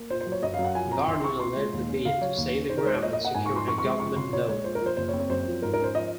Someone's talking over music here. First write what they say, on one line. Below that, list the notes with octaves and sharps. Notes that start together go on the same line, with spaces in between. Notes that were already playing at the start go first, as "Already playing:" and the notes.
Gardiner led the bid to save the ground and secured a government loan.
Already playing: A#3
A#2 C5
C5
F#3
C#5
F#2 D#5
F#2 F5
F#5
F3 G#5
C4 A#5
C2 C6
C4 C#6
A#2 C6
G#3
D#2
C#4
C#3 F5
F#3 C#5
D#2
C#4
D#3 C5
A#4
G#3 C5
C#5
A#1 D#5
D#5
A#3
F#5
G#2 G#5
C#6
F3 C6
F1 C#6
C#6
G#3 C6
F2 C#6
C#3 C6
A#1 C#5
G#3 C#5
A#2 C5
A#4
F3 C5
F#1 C5
C#5
C4
C#5
F#2 C5
F3
G#2 A#4
A#4
C#4 C5
F3 D#5